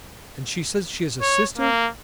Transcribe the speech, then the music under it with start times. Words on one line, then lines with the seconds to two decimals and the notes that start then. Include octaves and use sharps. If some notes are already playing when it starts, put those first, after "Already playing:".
And she says she is a sister....
1.21 C#5
1.58 A#3